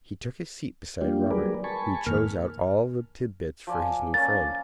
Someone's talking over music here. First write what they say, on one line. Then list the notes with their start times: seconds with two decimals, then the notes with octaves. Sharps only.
He took his seat beside Robert, who chose out all the titbits for his new friend.
1.01 G3 A#3 D4 F4 G4
1.31 F#3 G3 G#4 A#4 B4 D5
1.64 G#5 A5 B5 C#6
2.06 F2 A#2 D#3 A#3 A#4 F6
3.67 F3 D5 G#5
4.14 A#3 C#4 A6